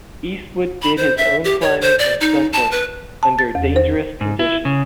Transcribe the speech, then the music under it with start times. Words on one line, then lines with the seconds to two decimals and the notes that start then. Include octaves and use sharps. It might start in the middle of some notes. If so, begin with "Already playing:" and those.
Eastwood did his own climbing and stuntwork under dangerous conditions.
0.82 B5
0.97 C5
1.17 E5
1.44 G4
1.61 C#5
1.81 C5
1.99 D5
2.21 D#4
2.53 A5
2.71 B4
3.23 A5
3.39 A6
3.55 E2
3.76 C5
4.21 G#2
4.39 E4
4.65 C#3